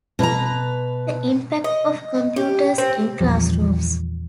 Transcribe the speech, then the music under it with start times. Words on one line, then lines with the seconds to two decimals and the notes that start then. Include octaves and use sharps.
The Impact of Computers in Classrooms.
0.19 B2 B4 D#5 A#5
1.64 D#5
2.36 G4
2.78 C4
3.21 A#1 E2 F3 G3